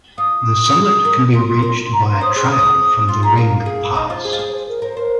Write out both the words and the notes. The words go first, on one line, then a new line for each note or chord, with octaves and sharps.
The summit can be reached by a trail from the Renggpass.
F4 D#6
G#4
A#4
A#4 C6
C6
A#4 C6
A#5
C6
C5 D#6
G#4 C6
D#6
F4 C6
G#4 A#5
A#4 F5
G#4
D#4 D#5
F4 C5
G#4
F4
G#4
C5
A#4
A#4 C5
A#4 C5